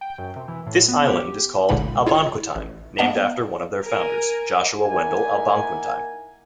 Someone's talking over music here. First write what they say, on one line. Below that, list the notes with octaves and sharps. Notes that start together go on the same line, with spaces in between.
This island is called Albonquetine, named after one of their founders, Joshua Wendell Albonquetine.
G5
F#2
C3
E3
A2
B3
G4
G1 C#2 A#2 D3 D#4 B5
E4 F4 G#4 C#5
A1
A#3 B3 D5 D#5 F#5 A5
A#4 G#5
A#3 D#4 E4 A#4 F#5 G#5